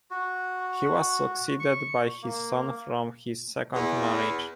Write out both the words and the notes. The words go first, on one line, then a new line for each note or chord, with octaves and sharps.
He was succeeded by his son from his second marriage.
F#4
C#6
A#3
E2